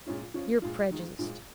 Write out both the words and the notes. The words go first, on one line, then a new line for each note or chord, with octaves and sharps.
"You're prejudiced."
A#2 G#3 C#4 F4
F3 C#4 F4
A#2 G#3 F4
D#3 G#3 F4
A#2 F3 G#3